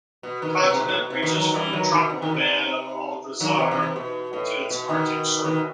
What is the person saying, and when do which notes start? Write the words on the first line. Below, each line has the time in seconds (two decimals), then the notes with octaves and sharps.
The continent reaches from the tropical band of Aldrazar to its Arctic Circle.
0.23 B2
0.42 B2 D#3
0.60 C3
0.70 C3
0.80 B2
0.89 A2
0.98 B2
1.10 C3
1.23 B2 D#3
1.36 D#3 F#3
1.54 E3 G3
1.73 D#3 F#3
1.91 B2 D#3
2.10 C3
2.22 B2 D#3
2.34 C3
3.40 D#3 F#3
3.59 C3 E3
3.71 C3 E3
3.83 C3
3.96 B2
4.33 A2
4.71 B2
4.89 B2 D#3
5.44 B2 D#3